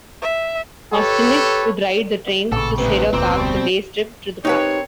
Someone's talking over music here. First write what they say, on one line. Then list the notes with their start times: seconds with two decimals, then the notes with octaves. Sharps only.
Austinites would ride the train to Cedar Park for day trips to the park.
0.22 E5
0.94 G4 A4 B4 C#5
2.52 A1 A#2 C#3 A4
2.78 D2 C3 B4
3.13 F1 D2 A#2 C4
3.37 B2 G3
4.45 C4 D#4 G4 A#4 B4 C#5